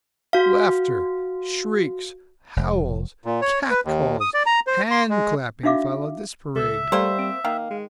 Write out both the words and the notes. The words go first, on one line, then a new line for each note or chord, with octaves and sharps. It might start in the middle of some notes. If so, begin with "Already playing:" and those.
Laughter, shrieks, howls, catcalls, hand-clapping followed this parade.
F#4 F5
F1
A#2
C#5
B4
D#2
D#6
D5
A#5
C5
C6
G#3
D4 D#4 F#4 E5 F5 D6
C#2 A4 E5
G3 A3 A#3 C5
C4
D#3 A#3 F5
G#3